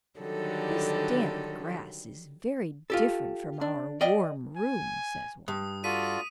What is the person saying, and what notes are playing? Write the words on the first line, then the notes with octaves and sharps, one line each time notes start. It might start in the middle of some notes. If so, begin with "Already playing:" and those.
"This damp grass is very different from our warm room," says one.
D3 D#3 F#3 G3 A4
F4 G4 A4
D4
D5 D#5 G5
G#5
G2 D#6
F4 F#4 A4 D5 B6 D#7